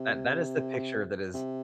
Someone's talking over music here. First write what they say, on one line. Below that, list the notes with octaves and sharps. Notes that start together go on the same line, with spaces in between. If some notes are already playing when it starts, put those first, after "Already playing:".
that that is the picture that is
Already playing: C3
C3